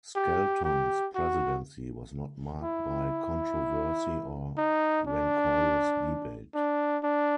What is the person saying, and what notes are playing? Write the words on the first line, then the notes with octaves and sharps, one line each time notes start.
Skelton’s presidency was not marked by controversy or rancorous debate.
G4
G4
F#4
E4
D#4
D4
D4
D4